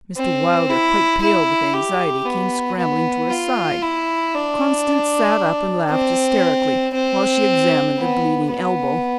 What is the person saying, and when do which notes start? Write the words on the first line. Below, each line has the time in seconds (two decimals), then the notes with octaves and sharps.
Mr. Wilder, quite pale with anxiety, came scrambling to her side. Constance sat up and laughed hysterically, while she examined a bleeding elbow.
0.17 C4
0.70 E4
1.22 E4
1.74 G4
2.25 B3
2.78 B3
3.30 F4
3.82 E4
4.35 D4
5.91 C4
6.95 C4
7.99 B3
8.51 B3